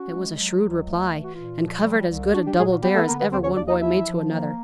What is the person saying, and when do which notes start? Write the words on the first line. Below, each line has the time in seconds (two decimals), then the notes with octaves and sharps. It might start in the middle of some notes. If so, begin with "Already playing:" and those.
It was a shrewd reply, and covered as good a "double-dare" as ever one boy made to another.
Already playing: C#4 F#4
0.12 G#3
0.37 F#3
0.62 C#2
0.86 A3
1.11 E3
1.24 F#4
1.35 A#2 F4
1.60 F3
1.84 G3
2.09 C2
2.33 D4 F#4
2.46 G3 G4
2.58 A#2 G#3 G#4
2.70 F#4
2.83 G3 B3 G4
2.94 A3 A4
3.07 D3 A#3 A#4
3.19 B3 B4
3.31 D#2 C4 C5
3.44 C#4 C#5
3.56 D#2 D4 D5
3.68 D#4 D#5
3.81 F3 E4 E5
4.06 F3
4.30 A#3